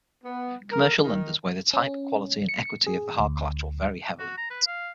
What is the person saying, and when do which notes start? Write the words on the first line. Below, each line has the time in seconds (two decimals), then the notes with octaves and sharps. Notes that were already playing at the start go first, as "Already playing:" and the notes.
Commercial lenders weigh the type, quality, and equity of the hard collateral very heavily.
0.24 B3
0.70 A#4
1.02 D#3
1.74 C#4
2.49 C#7
2.87 G#4
3.19 D2
4.19 F#4
4.37 A#5
4.50 B4
4.67 F5